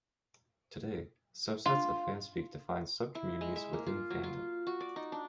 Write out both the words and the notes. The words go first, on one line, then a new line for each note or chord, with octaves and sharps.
Today, subsets of fanspeak define subcommunities within fandom.
F4
E4
G#3
E5
A#3
F4
F#3
F4
F#4
D5
D#4
D4